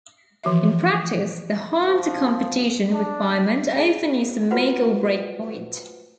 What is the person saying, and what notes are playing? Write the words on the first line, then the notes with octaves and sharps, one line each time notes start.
In practice, the "harm to competition" requirement often is the make-or-break point.
E3 F3 F#4 E5
F3
D4
G#4
F4 F#4 B4 C5 F#5